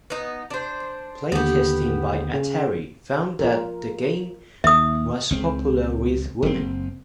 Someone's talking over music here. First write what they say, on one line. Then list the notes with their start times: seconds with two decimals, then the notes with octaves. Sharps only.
Playtesting by Atari found that the game was popular with women.
0.10 B3 D#4
0.50 D4 C5
1.32 D#2 D3 B3 G4
2.33 C#3
3.39 F4 A#4
4.64 D#2 E5 D#6
5.31 C#2 C4
6.43 F#1 C4